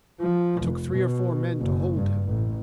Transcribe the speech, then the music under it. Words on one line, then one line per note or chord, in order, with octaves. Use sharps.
It took three or four men to hold him.
F3
F1
B2
F#1
G2
A1